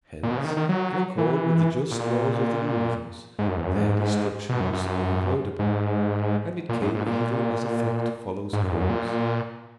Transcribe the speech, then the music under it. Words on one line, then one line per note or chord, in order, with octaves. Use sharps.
Hence in accord with the just laws of the universe their destruction was unavoidable, and it came even as effect follows cause.
A#2
B2
C#3
D#3
D#3
F#3
E3
A#2
G#2
F#2
E2
F#2
G#2
B2
F#2
F#2
G#2
A#2
F#2
G#2
A#2
G#2
F#2
E2
F#2
A#2